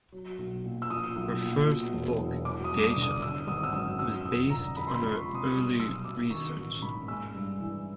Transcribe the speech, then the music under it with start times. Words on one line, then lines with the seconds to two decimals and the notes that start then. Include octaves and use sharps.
Her first book, "Geisha", was based on her early research.
0.12 F#3
0.39 B1
0.64 A#2
0.82 E6
0.90 F3 D#6
1.16 B1
1.42 A#2
1.67 B2
1.93 E1
2.19 E2
2.45 F#3 D6
2.64 D#6
2.70 G2
2.79 D6
2.84 D#6
2.96 D3
3.02 D#6
3.22 D3 E6
3.47 G#1 D#6
3.64 E6
3.73 F#2 D#6
3.99 F#3 E6
4.25 F2 D#6
4.50 D3 A#5
4.76 F3 B5
4.87 C6
4.95 B5
5.02 C#2
5.15 C#6
5.28 C3
5.35 D#6
5.53 G3 D#6
5.79 B1 E6
6.05 B2 D6
6.31 D#3 C#6
6.57 A1
6.82 G#2 B5
7.08 G#3 E6
7.35 G2
7.60 E3